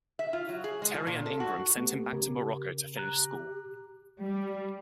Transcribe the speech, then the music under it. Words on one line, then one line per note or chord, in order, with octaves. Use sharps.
Terry and Ingram sent him back to Morocco to finish school.
E5
F4
F#3
G#4
G#3
F3
A#2
A4
F#4
A3 B3 G4
C#3 A#4
G4 A#5 F#6
G3